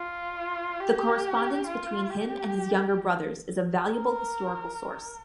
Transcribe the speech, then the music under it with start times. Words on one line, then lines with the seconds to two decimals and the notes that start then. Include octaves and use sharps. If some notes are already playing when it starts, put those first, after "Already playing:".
The correspondence between him and his younger brothers is a valuable historical source.
Already playing: F4
0.80 G4
1.67 F4
2.10 G4
3.87 A#4